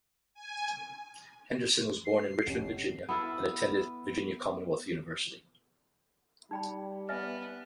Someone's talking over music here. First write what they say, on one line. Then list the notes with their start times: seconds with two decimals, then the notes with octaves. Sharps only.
Henderson was born in Richmond, Virginia and attended Virginia Commonwealth University.
0.34 G#5
2.05 C7
2.47 F1 C#4
3.09 B3 E4 A4 F5
6.51 G3 D#4 G5 B5
7.09 B3 D#5 E5 G#5 F6 A6